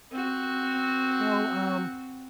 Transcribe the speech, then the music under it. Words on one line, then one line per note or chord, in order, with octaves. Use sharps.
Well, um,
C4 F#4